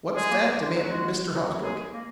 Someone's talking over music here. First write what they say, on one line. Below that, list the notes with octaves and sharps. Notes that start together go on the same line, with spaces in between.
"What's that?" demanded Mr. Hosbrook.
G#3 G#4
A#3
A#3
G#3
G#3
F#3 F#4
G#3
F#3
F#3
G#3 G#4
A#3